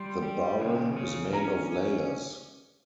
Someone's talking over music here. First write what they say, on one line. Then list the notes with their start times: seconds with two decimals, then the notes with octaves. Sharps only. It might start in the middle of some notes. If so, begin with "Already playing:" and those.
The baren is made of layers.
Already playing: G3 C6
0.23 G4
0.60 C#3
0.96 C#4
1.33 C#4 A#5